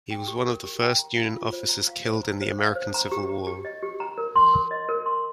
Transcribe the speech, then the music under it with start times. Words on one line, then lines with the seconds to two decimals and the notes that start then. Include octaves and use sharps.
He was one of the first Union officers killed in the American Civil War.
0.11 G5
0.28 G4
0.46 A#4
0.64 G4
0.81 G5
0.99 A#5
1.16 F5
1.35 F4
1.53 C5
1.69 A#5
1.87 F5
2.05 C5
2.23 A#5
2.41 C5
2.59 F5
2.75 C5
2.94 A#5
3.12 G4
3.29 A#5
3.47 G4
3.65 D#5
3.82 G4
4.00 A#5
4.18 A#4
4.36 C6
4.54 A#4
4.71 D#5
4.89 A#4
5.06 C6